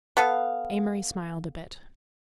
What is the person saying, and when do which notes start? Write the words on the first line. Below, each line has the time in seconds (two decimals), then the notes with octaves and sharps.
Amory smiled a bit.
0.17 B3 A4 F5